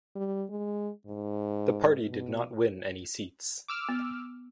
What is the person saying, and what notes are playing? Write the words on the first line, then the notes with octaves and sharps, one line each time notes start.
The party did not win any seats.
G3
G#3
G#2
B2
D6 E6 F6
B3